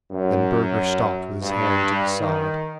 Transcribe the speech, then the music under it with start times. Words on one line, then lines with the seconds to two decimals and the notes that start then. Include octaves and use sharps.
Then Burger stopped with his hand to his side.
0.11 F#2
1.42 G2
2.20 D#3